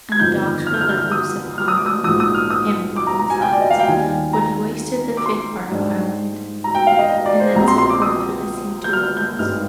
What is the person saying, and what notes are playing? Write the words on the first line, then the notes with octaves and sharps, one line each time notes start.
And the dogs were let loose upon him from all sides. But he wasted the fifth part of Ireland, and then set forth through the sea to Wales.
G#6
G1 F2 D#3 G6
F6
G6
F6
G6
F6
D#6
F6
D#6
D6
D#6
A#1 G#2 F3 D#6
D#6
F6
D#6
D6
A#5
A#5
G#5
G5
D5
D#5
F5
G5
D#2 D#3 G3 G#5
A#5
D6
C6
G#2 G3 D4
A#5
G5
F5
D#5
D#5
D5
C5
A#1 A#2 G#3 C4 A#5
C6
C6
D6
D#6
G6
F6
G6
G#1 G2 D#3 G#3 F6